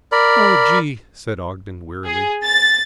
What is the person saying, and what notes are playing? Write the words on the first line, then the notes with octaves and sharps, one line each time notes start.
"Oh, Gee," said Ogden wearily.
A#4 D5 B5
G#4
A6